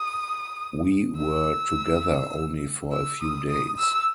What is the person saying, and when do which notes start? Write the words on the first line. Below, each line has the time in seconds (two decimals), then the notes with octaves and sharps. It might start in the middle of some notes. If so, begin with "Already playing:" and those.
We were together only for a few days.
Already playing: D#6
1.18 E6
2.92 E6
3.21 D#6
3.50 D#6
3.78 E6